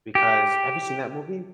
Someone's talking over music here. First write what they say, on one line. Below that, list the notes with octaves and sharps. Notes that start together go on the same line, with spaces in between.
because have you seen that movie?
G4